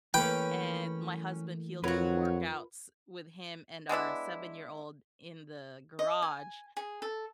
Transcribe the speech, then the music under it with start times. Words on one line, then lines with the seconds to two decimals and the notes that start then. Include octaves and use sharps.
and my husband, he'll do workouts with him and our seven-year-old in the garage,
0.14 E3 A3 A#3 C#4 B4 G5
1.84 F2 F#3 F4 F#4 A#4 B4
3.89 G#3 B3 D4 E4
5.99 D#5
6.22 G#5
6.77 G#4
7.02 A4